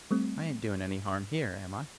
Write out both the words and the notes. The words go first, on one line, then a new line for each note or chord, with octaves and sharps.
'I ain't doing any harm here, am I?'
G3 A3 C4